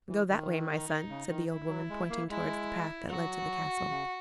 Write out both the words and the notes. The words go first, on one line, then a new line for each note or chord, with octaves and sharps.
'Go that way, my son,' said the old woman, pointing towards the path that led to the castle.
E3
D#3
D#4
C#3
D#3
E4
F#3
G#3
A#3
G#3 E4
F#3 F#4
C#3